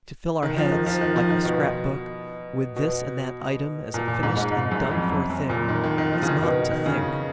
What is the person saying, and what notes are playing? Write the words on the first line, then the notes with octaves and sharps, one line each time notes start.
To fill our heads, like a scrapbook, with this and that item as a finished and done-for thing, is not to think.
D#3
F3
D#3
F3
D#3
F3
D#3
B2
B2
A#2
A#2
G#2
G#2
G#2
F#2
F2
F2
F#2
A#2
D#3
D#3
D#3
F3
C#3
D#3
B2
D#3
C#3